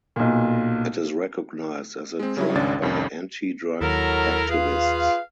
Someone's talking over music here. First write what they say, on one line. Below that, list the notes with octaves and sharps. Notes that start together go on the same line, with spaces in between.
It is recognized as a drug by anti-drug activists.
B1 A#2
G#3 C4
C#3 F#3 G3 E4
G#1 C#2 C#4 D4 A6
C2 F2 D#3 C#4
D#2 F#3 E4 A4 A#4
F4 G#4 B4 F5